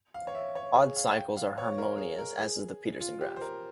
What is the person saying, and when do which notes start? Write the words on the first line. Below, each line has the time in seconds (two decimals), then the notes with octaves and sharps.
Odd cycles are harmonious, as is the Petersen graph.
0.14 F5
0.27 C#5
0.35 E5
0.55 C#5
0.76 G#4
0.96 F5
1.17 G5
1.37 F5
1.58 C#5
1.78 A#4
1.98 G#4
2.19 A#4
2.39 G#4
3.01 F4
3.21 G4
3.36 C5
3.41 A#4